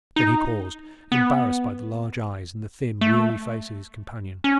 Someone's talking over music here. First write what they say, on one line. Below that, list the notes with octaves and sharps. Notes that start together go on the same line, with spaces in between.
Then he paused, embarrassed by the large eyes and the thin, weary face of his companion.
D#4
B3
A3
C#4